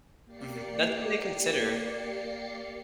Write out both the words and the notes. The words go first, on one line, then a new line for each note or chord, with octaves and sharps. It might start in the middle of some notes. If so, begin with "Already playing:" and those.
Mhm, that's something to consider.
A#3 G4 D5 C7 C#7